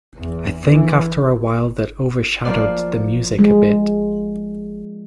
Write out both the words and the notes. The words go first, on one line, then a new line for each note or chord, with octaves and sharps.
I think after a while that overshadowed the music a bit.
E2
E3
F3 A#3 D5
G#3